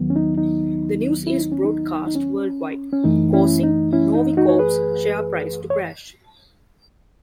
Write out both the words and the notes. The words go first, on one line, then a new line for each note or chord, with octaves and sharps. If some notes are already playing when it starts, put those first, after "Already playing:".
The news is broadcast worldwide, causing Novicorp's share price to crash.
Already playing: D#2 D#3 F#3 B3
C#4
D#4
D#4
E4
D#4
C#4
D#4
D#4
C#4
C#4
F#2 E3 A3 D#4
C#4 E4
D#4
C#4 E4
D#4
D#4 F#4
C#5
G#4 B4
C#5